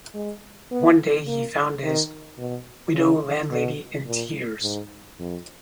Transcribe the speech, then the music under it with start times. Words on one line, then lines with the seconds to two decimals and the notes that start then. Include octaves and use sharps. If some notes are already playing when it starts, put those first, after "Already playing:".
One day he found his widow-landlady in tears.
0.14 G#3
0.72 B3
1.27 A#3
1.83 D#3
2.38 B2
2.95 C#3
3.51 B2
4.06 A#2
4.63 G#2
5.19 F2